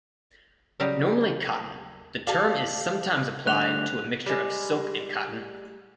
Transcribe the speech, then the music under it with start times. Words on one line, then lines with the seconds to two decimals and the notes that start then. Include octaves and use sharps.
Normally cotton, the term is sometimes applied to a mixture of silk and cotton.
0.80 C#3 F#3 G3 G4 D#5 F5
2.27 G4 A4 D5 F5
3.47 D3 G3 A3 F#6 F7
4.26 G3 G#3